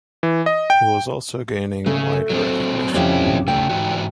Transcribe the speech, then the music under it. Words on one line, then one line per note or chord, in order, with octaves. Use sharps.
He was also gaining wider recognition.
E3
D#5
G5
C#3 A3
F#3 C4
F2 C4 C#4 E4 G4
C#3 A3 G5
G#2 E3 F#4